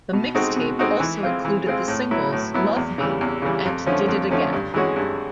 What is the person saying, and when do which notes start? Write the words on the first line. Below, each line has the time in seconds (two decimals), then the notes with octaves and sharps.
The mixtape also included the singles "Love Me" and "Did It Again".
0.13 B2
0.35 G#3 C4 D#4 F#4
0.56 B2
0.79 G#3 C4 D#4 F#4
1.00 E3
1.23 G#3 C4 F4
1.45 E3
1.67 G#3 C4 F4
1.88 A2
2.11 F#3 B3 E4
2.32 A2
2.54 F#3 B3 E4
2.76 E2
2.98 C#3 E3 G3
3.21 E2
3.42 C#3 E3 G3
3.65 F2
3.86 D3 F3 A3 C#4
4.08 F2
4.31 D3 F3 A3 C#4
4.53 G2
4.74 E3 G#3 C#4 F#4
4.96 G2